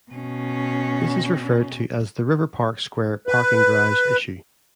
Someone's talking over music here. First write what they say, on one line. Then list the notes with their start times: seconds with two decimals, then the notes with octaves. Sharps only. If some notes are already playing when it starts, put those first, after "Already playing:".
This is referred to as the "River Park Square Parking Garage" issue.
0.11 B2 C#4
3.27 B4